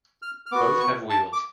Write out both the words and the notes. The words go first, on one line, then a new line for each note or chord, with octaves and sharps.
Both have wheels.
F6
F6
B3 F#4 D6
C#6
A5
D6